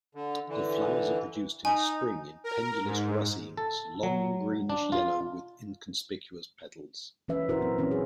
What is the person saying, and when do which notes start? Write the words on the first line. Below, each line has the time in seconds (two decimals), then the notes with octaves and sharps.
The flowers are produced in spring in pendulous racemes long, greenish-yellow with inconspicuous petals.
0.15 D3
0.48 D3 E3
1.65 D#4 G#5
2.44 A#4
2.84 G#2
3.57 A4
4.03 F#3
4.70 D4
4.92 F4
7.28 E3 C#4 B4 E5
7.49 A#2 E4 F#4 A#4 C5
7.60 F#3 C4
7.78 E3 C4 C#4
7.91 G#4